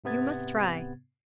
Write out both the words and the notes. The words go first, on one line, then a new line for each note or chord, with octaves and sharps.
You must try.
G#2 C3 B3 G#6 A6